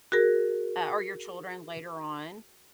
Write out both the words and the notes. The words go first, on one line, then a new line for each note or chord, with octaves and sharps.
uh, or your children later on.
F#4 G#4 A#4